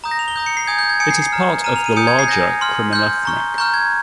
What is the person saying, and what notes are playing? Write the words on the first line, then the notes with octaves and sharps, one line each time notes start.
It is a part of the larger CrimethInc.
A#5 D#6 G6
A#6
F7
G7
A#5 D#6 G6
C#7
C7
G#5 D#6 G6 G#6
G6
G#6
G#5 D#6 G6 C#7
C7
C#7
C7
A#5 F6
A#5 F6 D#7
F7
D#7
G#5 D#6 G6 C#7
G#6
C7
G#5 D#6 G6 A#6
C6 F6
C6 F6 G6
A#5 C#6 F6
A#5 C#6 F6 G6
G#6